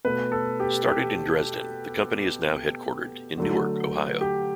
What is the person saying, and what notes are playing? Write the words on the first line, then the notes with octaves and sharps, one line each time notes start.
Started in Dresden, the company is now headquartered in Newark, Ohio.
B2 A3 B4
A4
G4
G4
D3 F#3 A3
G4